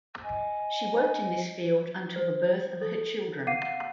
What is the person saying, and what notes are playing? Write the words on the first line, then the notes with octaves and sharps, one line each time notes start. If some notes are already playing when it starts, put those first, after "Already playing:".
She worked in this field until the birth of her children.
D#5 G#5
C5
A4
F5 F#5 D6 C7 D#7